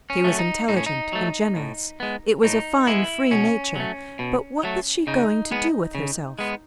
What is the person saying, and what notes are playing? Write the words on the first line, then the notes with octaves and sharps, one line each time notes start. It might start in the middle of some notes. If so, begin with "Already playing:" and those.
She was intelligent and generous; it was a fine free nature; but what was she going to do with herself?
C#4
F#3 A3
D#4
A2 D#4
C#4
D#4
F#3 A3
A2
G#3 B3
A2 D#4
G#3 B3 E4
B2 C#4
F#3 A3
B2
F#3 A3
C#3 D#4
G#3 B3
C#3
G#3 B3